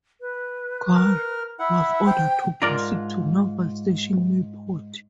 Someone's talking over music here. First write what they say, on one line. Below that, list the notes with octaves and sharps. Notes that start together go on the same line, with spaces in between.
"Carr" was ordered to proceed to Naval Station Mayport.
B4
A#4 F6
E4 E5 F#5
C5 G5
G#2 D4 F4 A#4 D5 A#5